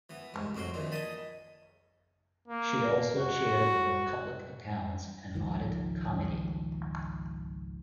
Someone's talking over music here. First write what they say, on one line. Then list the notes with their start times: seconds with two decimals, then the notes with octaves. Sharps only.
She also chaired the Public Accounts and Audit Committee.
0.10 E3 B3
0.34 C2 G#2
0.55 F2 A2 C4 F#4 C6
0.74 A#1 A#2 D#3 E3
0.92 D#5 G#5 A5 B5
2.48 A#3
3.17 F#4
5.33 G#1 C#2 D#3 F3